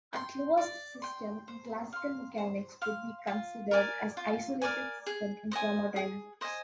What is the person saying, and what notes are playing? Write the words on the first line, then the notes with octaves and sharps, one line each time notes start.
A closed system in classical mechanics would be considered an isolated system in thermodynamics.
G5 C6
D5
G5 C6
C5
F5 C6
C5
F5 C6
F4
A#4 D5 G#5
F4
A#4 D5 G#5
G#4
C5 D#5 G#5
G#4
C5 D#5 G#5